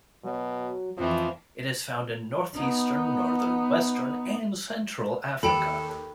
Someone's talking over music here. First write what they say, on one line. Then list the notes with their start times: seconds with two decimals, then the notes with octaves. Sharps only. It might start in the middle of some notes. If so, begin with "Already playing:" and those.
It is found in north-eastern, northern, western and central Africa.
0.24 B2 F#3
0.98 F2 E3 F3
2.54 B3 D#4
5.43 D#2 G4 A4 G5 B5